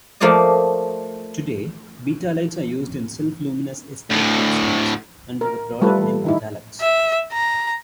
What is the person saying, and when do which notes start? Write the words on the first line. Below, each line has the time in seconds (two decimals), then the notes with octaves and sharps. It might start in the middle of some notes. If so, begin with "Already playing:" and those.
Today betalights are used in self luminous escape-route signs, under the product name Betalux.
0.20 F3 A3 A#3 F4 D5 D#5
4.10 D2 A2
5.41 A#4
5.81 G3 A3 F4 A4 B4
5.98 E3
6.24 D#3 D#4 E4
6.81 E5
7.33 A#5